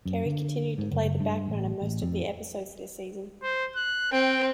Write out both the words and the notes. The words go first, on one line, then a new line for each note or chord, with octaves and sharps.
Kerry continued to play the background in most of the episodes this season.
F#2
D3
G#2
F#1
G2
A1
A1
F2
C5
F#6
C4 G5